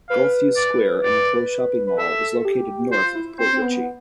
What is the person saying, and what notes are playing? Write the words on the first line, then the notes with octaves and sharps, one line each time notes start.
Gulf View Square, an enclosed shopping mall, is located north of Port Richey.
B4 F5
D5
D5
B4
A4 E5
G4
F4 C5
E4
C4 C5
C4
B3